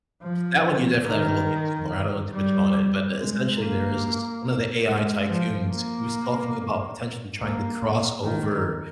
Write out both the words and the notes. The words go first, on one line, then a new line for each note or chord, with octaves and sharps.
that one you definitely have to look into more, I don't know too much on it, but essentially there is this one of the AI tycoons, he was talking about potentially trying to cross over
F3
D#3
G3
G#3
A#3
G#3
F3
A#3
A#3
D#3